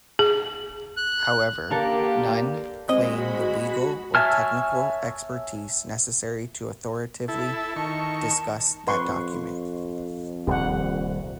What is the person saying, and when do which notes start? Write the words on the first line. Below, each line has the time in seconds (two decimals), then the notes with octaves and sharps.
However, none claim the legal or technical expertise necessary to authoritatively discuss that document.
0.19 G#4
0.97 F#6
1.70 D3 A#3 G4 A4 A#4 F5
2.89 G#3 C4 F#4 D#5 B5
4.15 C#5 E5 G#5 A5 F6
7.28 E4 A4
7.76 D#3 A5 C#6
8.87 F2 B4 C6 C#6
10.47 D#1 C2 G4 F#5